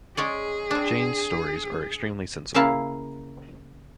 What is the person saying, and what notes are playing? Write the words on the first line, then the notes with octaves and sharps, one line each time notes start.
Jane’s stories are extremely sensible.
G#3 C#4 G#4 D5
C4 D4
C#3 A#3 E4 E5 F5 A5